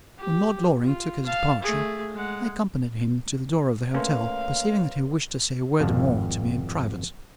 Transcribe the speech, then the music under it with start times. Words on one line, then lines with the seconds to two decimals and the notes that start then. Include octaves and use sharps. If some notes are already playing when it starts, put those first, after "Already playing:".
When Lord Loring took his departure, I accompanied him to the door of the hotel, perceiving that he wished to say a word more to me in private.
0.18 G4
0.83 F4
1.25 F5 A5
1.62 A3 G#4
2.13 G#3 F#5
3.94 A3 A#3 C#4 B4 C#5 F5 C6
5.80 G#1 F2 F5 A5